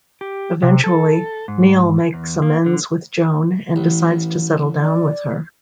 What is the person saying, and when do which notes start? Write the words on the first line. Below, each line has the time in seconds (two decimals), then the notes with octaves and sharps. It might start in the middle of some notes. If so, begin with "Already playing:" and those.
Eventually, Neal makes amends with Joan, and decides to settle down with her.
0.21 G4
0.62 C3
0.84 A4
1.48 G#2
2.14 E2
2.42 A#3
2.66 D3
3.76 A1 E3
4.81 D5